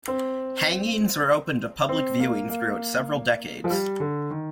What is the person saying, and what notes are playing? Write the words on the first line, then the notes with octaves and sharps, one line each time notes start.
Hangings were open to public viewing throughout several decades.
C4
C4
A#3
A#3
F3
G3
D3
D#3